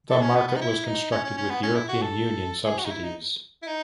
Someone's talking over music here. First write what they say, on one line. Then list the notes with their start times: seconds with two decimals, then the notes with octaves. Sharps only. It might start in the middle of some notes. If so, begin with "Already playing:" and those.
The market was constructed with European Union subsidies.
0.10 A4
0.22 C#4
0.36 B3
0.48 B3
0.56 D#4
0.61 E4
0.86 D#4
1.12 C#4
1.24 C#4
1.37 C#4
1.50 B3
1.63 C#4
1.75 E4
1.89 F#4
2.02 A4
2.66 G#4
2.78 F#4
2.85 D#4
2.90 E4
3.03 D#4
3.63 E4
3.67 D#4